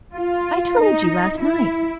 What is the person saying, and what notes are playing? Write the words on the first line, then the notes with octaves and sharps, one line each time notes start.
"I told you last night."
F4
D#4
E4